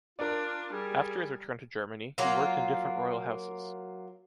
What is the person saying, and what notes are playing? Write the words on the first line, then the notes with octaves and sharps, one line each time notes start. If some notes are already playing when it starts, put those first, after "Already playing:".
After his return to Germany, he worked in different royal houses.
D4 F4 A#4 D5
G3 G#4
F#3 A#3 F4